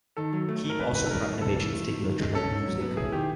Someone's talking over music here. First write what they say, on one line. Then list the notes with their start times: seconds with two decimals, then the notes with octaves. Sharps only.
Keep also brought innovations to electronic music.
0.17 D#3 A4
0.33 F#3
0.49 A3
0.63 G#2
0.70 A#4
0.79 C3 B4
0.95 D#3 B4
1.06 A4
1.11 G3 A#4
1.25 C2
1.41 C3 A4
1.57 E3
1.73 A3
1.88 C#2
2.04 D#3
2.20 G#3
2.35 C#4 A4
2.51 G#2
2.66 F#3
2.82 B3
2.97 E4 G#4
3.13 D#3 G4